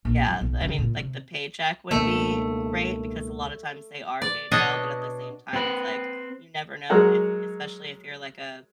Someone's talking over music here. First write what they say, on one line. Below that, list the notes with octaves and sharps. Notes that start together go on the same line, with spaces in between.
Yeah, I mean, like, the paycheck would be great because a lot of times they are paid well, but at the same time, it's like, you never know if especially if you're, like, uh,
A#1
F#3
B1
C#3
A#2
C3
C#2 B2 A3 A#3
D5
B2 D4 C#5 D#5
C4 B4
F#3 G#3 A#4 F#5